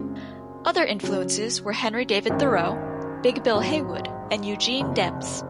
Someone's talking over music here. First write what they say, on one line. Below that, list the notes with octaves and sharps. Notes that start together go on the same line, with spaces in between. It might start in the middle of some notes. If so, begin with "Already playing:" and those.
Other influences were Henry David Thoreau, Big Bill Haywood and Eugene Debs.
Already playing: F#2 C#3 G#3 C4 F4
C#3 F#3 C#4
G#1 F#2 D#3
A#1 G#2 F#3
F#1 F2 C3